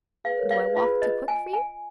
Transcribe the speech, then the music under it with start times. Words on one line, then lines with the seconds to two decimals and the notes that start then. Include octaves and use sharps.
'Do I walk too quick for you?'
0.24 G#4 B4 F5
0.37 A#4 C#5
0.51 G#4 B4 F5
0.63 G#4 B4
0.76 F4 G#4 B4
1.02 D#5
1.28 G#5
1.53 G#5